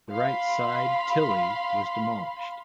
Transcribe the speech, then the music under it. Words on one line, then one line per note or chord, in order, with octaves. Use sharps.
The right-side Tillie was demolished.
F5 B5 C6